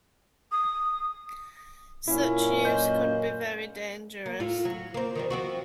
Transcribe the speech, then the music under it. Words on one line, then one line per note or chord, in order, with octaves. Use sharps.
Such use could be very dangerous.
D#6
F#2 A#2 C#4 E4
B4 C5 D#5 G6
A#3
A2 F4
F#3
A#3 C4
D#3 F3 G3
F3 C4 F#4